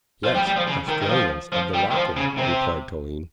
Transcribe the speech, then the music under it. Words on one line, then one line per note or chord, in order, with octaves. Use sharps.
"Yes, Australians of the Lachlan," replied Toline.
F3
G3
G3
F3
C#3
D#3
D#3
F3
F3
G3
D#3
F3
C#3
C3